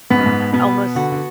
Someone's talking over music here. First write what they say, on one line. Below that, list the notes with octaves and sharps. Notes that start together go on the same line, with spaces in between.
uh, almost,
G#2 B3
F#2
G#2
B2 B3
D3 F#4
D3